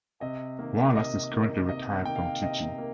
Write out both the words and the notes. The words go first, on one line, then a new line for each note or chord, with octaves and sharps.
Wallace is currently retired from teaching.
C3 D#5
D#3 A#3
C3 D#5
D#3 A#3
C3 D#5
D#3 A#3 G5
F5
G5
C3 D#5
A#3